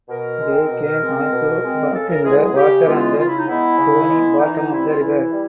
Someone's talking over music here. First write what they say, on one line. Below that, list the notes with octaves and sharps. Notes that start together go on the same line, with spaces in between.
They can also walk in the water on the stony bottom of the river.
B2 A#4
G#3
C4
B2
G#3 C4
B2
G#3 C4
C#3 A4
A#4
E3 G#3 B3 G#4
G#4
C#3 G4
E3 G#3 B3 F4
C#3 F4
E4
D#4
E3 G#3 B3 E4
C#3
E3 G#3 B3
E3 D#4
D#4
G3 C4 E4
F4
E3 E4
G3